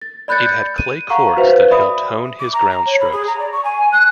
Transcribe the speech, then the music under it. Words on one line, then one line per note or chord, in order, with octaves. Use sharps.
It had clay courts that helped hone his groundstrokes.
A6
D5 B5 F#6 G6 A6 C#7
D#7
F5 F#5 A#5 C#6
F#4 B4 C5 E5 F5
D5 E5 B5 D#6
D6
A#5
A#5
C#5
B5
G#4
A#5
D5
C#6
G#5
F#6